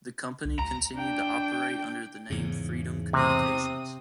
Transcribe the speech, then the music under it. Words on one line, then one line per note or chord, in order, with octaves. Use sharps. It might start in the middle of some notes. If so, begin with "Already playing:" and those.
The company continued to operate under the name Freedom Communications.
C2
D2 A#5
D4 G5
E2 G#2 C#3
C3 C4 D#6